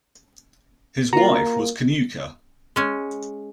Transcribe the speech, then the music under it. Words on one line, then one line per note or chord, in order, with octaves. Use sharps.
His wife was Cnucha.
A#3 F4 F#4 A#5
G#3 C#4